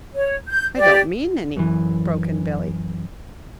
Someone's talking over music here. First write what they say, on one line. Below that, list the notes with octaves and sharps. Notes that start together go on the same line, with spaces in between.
"I don't mean any," broke in Billy.
C#5
G6
G4 D5
F#2 E3